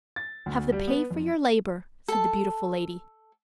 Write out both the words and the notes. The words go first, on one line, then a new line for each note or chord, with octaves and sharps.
"Have the pay for your labor?" said the beautiful lady.
A6
D2
G3
B3
F2
A4 A5